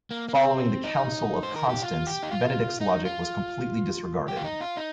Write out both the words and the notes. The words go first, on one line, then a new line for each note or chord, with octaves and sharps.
Following the Council of Constance Benedict's logic was completely disregarded.
A#3
A#3
C4
D#4
C5
A#4
G4
F4
G4
D#4
F4
D#4
F4
G4
F4
D#4
F4
D#4